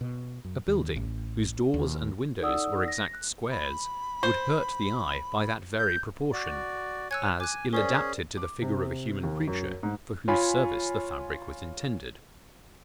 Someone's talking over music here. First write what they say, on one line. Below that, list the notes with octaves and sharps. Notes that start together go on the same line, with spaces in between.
A building, whose doors and windows were exact squares, would hurt the eye by that very proportion; as ill adapted to the figure of a human creature, for whose service the fabric was intended.
B2
F#2
D#2
A1
D#2
D#4 A4 D5 F#5 D#6 E6
A#6
F#6
B5
C5
G6
F#4 D5
C#5 G#5 C#6 E6 F#6 G#6
G#5 D6 F#6
C#4 G#4 A#4 C5 D5
D6
C3
D#2
F#2
G#2
F4 C#5 G#5 B5